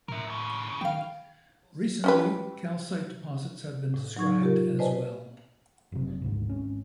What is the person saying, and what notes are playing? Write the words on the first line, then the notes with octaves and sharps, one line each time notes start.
Recently, calcite deposits have been described as well.
A2 A#4 E5
D#2 C#3
D#3 F5 G5
C#4 G4 B4
A2
F#3 D#4 C#6 G#6
F4 G4 A#4
B4 C5 D5 D#5 G#5 A5
F#1 C3
G#1 D2 G#2
G#1 C#4